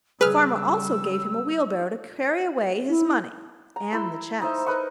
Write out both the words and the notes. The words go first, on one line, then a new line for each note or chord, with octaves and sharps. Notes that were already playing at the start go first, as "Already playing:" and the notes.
The farmer also gave him a wheelbarrow to carry away his money and the chest.
C#3 G3 G#4 B4 E6 F6
E4
A#5
E4 C6 E6
D#4 C5 E5
A#4 B4 D#5 C#6